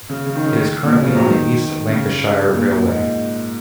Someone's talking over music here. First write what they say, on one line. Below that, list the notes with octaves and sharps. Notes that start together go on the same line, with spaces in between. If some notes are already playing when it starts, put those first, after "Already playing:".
It is currently on the East Lancashire Railway.
C#3
C#3
D#3
C#3
A#2
B2
C#3
F3
F#3
D#3
C#3
A#2
A#2
G#2